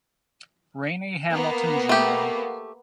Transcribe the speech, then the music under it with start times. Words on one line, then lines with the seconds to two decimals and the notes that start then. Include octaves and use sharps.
Rainy Hamilton Jr.
1.33 A#3 B3
1.89 A3 G4